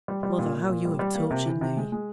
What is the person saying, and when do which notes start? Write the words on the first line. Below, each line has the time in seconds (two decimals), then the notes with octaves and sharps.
Mother, how you have tortured me!
0.08 G3
0.23 G3
0.39 A#2
0.54 A#2
0.69 A#2
0.85 G3
0.99 G3
1.15 A#3
1.31 C3
1.46 E3
1.61 C3
1.77 G#3
1.92 G#3